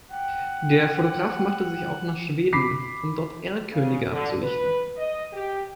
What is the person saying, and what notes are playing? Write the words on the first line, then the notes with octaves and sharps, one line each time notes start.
Der Fotograf machte sich auf nach Schweden, um dort Erlkönige abzulichten.
F#5 G5
B5 D6 B6 C7
C#3
D3
B4
D#5
G4